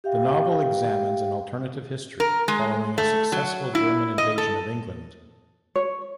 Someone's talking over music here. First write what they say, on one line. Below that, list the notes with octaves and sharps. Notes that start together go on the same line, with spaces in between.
The novel examines an alternate history following a successful German invasion of England.
G4 E5 F5 G5
A#4
G#3
A3
F#3
E4
D#5
A4
C#5